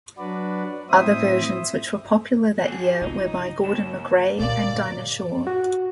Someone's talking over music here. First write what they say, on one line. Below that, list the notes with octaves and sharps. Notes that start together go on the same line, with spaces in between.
Other versions which were popular that year were by Gordon MacRae and Dinah Shore.
F#3 D4 F#4 B4 D5
A2 C4 E4 C5 E5 D#6
F#4 G#4
C#3 D#4 F4
D#2 E7
A#2 D3 A#4 D5 F5
F#4